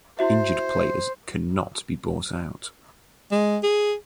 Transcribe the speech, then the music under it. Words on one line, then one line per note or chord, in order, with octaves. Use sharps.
Injured players cannot be bought out.
E4 F#4 C5 E5
G#3
G#4